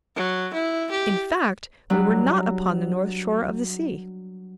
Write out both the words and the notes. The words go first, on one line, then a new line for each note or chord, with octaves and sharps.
In fact we were not upon the north shore of the sea.
F#3
E4
G4
F#3 G3 D4